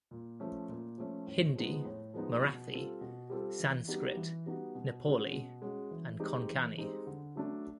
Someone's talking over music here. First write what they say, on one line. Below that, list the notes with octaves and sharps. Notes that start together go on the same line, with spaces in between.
Hindi, Marathi, Sanskrit, Nepali and Konkani.
A#2
F3 A3 C#4
A#2
F3 A3 C#4
A2
F3 G#3 B3 D#4
A2
F3 G#3 B3 D#4
B2
G3 C4 F4 A4
B2
G3 C4 F4 A4
E3
G3 B3 D#4 F#4
E3
G3 B3 D#4 F#4
B2
G#3 C#4 F#4
B2
G#3 C#4 F#4
E3
G#3 C4 D#4 G4
E3
G#3 C4 D#4 G4
D3
F#3 A3 D4